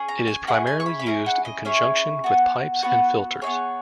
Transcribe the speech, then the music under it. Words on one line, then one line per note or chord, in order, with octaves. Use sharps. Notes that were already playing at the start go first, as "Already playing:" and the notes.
It is primarily used in conjunction with pipes and filters.
Already playing: C#4 G#4
A#5
G#5
C#4 E4 G#4 F#5
G#5
C#6
B5
B5
C#4 E4 G#4 A#5
F#5
D#5
C#4 E4 G#4 C#5
B3 F#4
B3 F#4 B4
D#4 G#4 C#5
B3